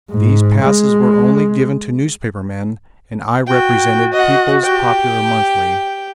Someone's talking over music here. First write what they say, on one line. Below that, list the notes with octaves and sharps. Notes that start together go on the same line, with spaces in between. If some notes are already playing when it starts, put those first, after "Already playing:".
These passes were only given to newspaper men and I represented People's Popular Monthly.
G#2
G#3
F#4 G5
D#5 F#5
G4 G5